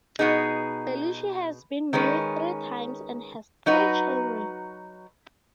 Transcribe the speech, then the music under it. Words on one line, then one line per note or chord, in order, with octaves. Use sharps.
Belushi has been married three times and has three children.
B2 B3 D#4 G#4
D#3 G#3 C#4 B4
F#3 D#4 F#4 B4